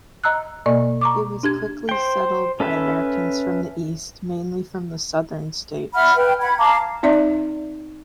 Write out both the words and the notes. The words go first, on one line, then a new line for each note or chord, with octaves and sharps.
It was quickly settled by Americans from the east, mainly from the Southern states.
D#5 A#5 E6 F#6
B2 A#3 D5 D#5
A#5 C#6 D6
D4 G4 G#6
C5 G5
C#4 A4 B4 E5
E5 F#5 B5 F6
B4 G5
F#5 B5 G#6
F5 A5 A#5 D6
C4 D#4 D5 E5